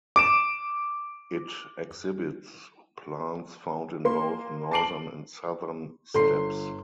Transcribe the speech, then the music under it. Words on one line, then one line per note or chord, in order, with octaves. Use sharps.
It exhibits plants found in both northern and southern steppes.
D6 D7 E7
A#3 C6
A5 D6 C7 D7 F#7
G1 A4 C6 C7